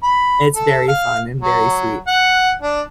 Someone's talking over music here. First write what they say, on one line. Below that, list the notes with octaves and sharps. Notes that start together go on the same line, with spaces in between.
It's very fun and very sweet.
B5
A4
F5
F#3
F#5
D4